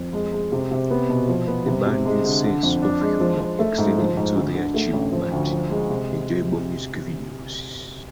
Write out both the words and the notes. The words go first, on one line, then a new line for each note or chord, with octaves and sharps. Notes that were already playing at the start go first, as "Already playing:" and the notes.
The band's sense of humour extended into their cheap but enjoyable music videos.
Already playing: F2
G#3
G#3
C3
C3
B3
B2
F3
B3
C3
C3
G#3
D3
D3
F2
D4
G#3
F3
F3
A3
G#2
F3
G#2
D2
D3
A3
A1
F3
D2
F3
G#3
C3